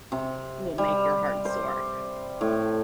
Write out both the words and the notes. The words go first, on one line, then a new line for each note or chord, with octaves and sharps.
will make your heart soar,
C3
G3
C5
A2